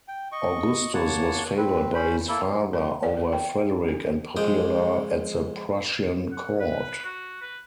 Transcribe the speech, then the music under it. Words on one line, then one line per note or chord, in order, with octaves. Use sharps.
Augustus was favored by his father over Frederick and popular at the Prussian court.
G5
D#5 C#6
A#3 C#5 F#5 A5
C4 B4
C#4 C5 B5
A#3 E4 A4
B4
D5
B4
G5
C#4
F2 G#3 G5 D#6
F#5
B4
F#4
B4